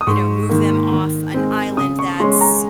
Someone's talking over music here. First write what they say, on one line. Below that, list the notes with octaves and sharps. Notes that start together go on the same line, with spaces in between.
you know, move them off an island that's,
D#6
G#2 C#6
D#3 A#3
D#3
G#3 C4
C#3 D#6
C#6
G#3 C#4 C6
A#5